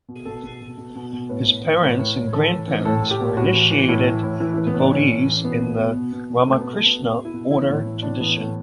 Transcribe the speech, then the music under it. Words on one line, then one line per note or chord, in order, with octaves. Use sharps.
His parents and grandparents were initiated devotees in the Ramakrishna Order tradition.
B2
B2 A4
B2
B2
B2
B2
B2
A2 B4
A2
E3
A2 B4
A2
A2
E3 A4
A2
E3
A2 A4
A2
G4
A2
A2 F#4
E3
E3
A2 E4
E3
A2
E3 E4
E4
E3
B3
A2 D4
A2 C#4
E3
E3
B2 B3
B2
B2
B2
B2
B2
B2 A3
B2 B3
A3
B2 B3
B2
B2
E4
B2
E3 E4
A2
E3
A2 D4
E3 B3
A2 A3